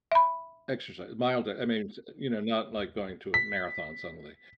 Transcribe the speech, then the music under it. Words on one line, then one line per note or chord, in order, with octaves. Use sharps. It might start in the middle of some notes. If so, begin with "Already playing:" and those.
Exercise mild, uh, I mean, s uh, you know, not like going to a marathon suddenly.
E5 B5
B6